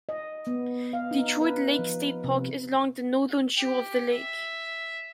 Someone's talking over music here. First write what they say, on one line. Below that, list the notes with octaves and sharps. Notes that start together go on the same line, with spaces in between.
Detroit Lake State Park is along the northern shore of the lake.
D#5
B3
F5
D#4
B4
F3
C3
G4
E5